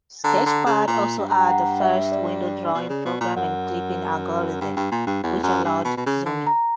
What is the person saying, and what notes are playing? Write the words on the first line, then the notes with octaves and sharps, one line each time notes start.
Sketchpad also had the first window-drawing program and clipping algorithm, which allowed zooming.
D3 A#5
D3
C#3
A#2
G2
A#5
G5
F#5
E5
D5
B2
C#3
B2
A#2
F#2 F#5
G2
G2
A#2
G2
E2
F#2
G2
B2
B2
C#3
D3
A#5